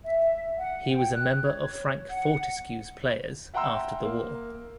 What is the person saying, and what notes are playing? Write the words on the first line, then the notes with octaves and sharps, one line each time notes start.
He was a member of Frank Fortesque's Players after the war.
E5
F#5
G5
F#6
C#5
F#5
E5 F#5 G5 A#5 C6 E6
A#3